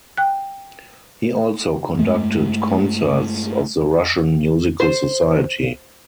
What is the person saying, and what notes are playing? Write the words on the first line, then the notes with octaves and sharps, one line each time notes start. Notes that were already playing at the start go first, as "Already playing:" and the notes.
He also conducted concerts of the Russian Musical Society.
G5 F#6
G2 G#3 A3
C5